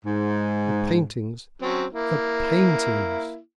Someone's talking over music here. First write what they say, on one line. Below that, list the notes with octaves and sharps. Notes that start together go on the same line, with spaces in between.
The paintings--the paintings!
G#2
F#3 C4 C#4
A#3 E4